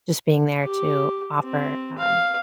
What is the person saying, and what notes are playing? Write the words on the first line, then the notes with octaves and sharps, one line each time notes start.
just being there to offer, um,
G4
C4
F5